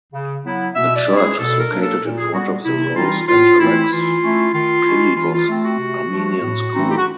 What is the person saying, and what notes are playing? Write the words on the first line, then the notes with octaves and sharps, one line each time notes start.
The church is located in front of the Rose and Alex Pilibos Armenian School.
C#3
F#3 B3 E4
B2 E5
D5
G#3 C#4 E4
G#4
B2 A4
A#4
F#3 A#3 D4
A4
A#2
G#4
G3 B3 F#4
C3 E4
E3 G3 C4 D#4 F4
A2 F4
E3 A3 C4 E4
E3 F4
A3 C#4 E4
D#3 F4
G#3 C#4 E4
E3 F4
F4
A3 C4
F#4
C3
F3 A3 D4
A2
E3 A3 C4 D#4
G4
F#4